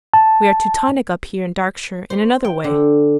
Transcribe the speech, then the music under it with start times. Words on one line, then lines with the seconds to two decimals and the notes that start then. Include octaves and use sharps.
We are Teutonic up here in Darkshire in another way.
0.14 A5
2.10 C5
2.44 G5
2.64 D3